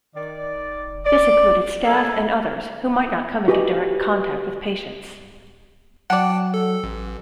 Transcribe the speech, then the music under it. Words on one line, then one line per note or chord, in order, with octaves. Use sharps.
This included staff and others who might not come into direct contact with patients.
D#3 D5
D5
G2 A4 A#4 E5 G#5 A5
F#4 G4 B4 D5 D#5 G#5
F#3 D5 F#5 G5 A5
A4
A1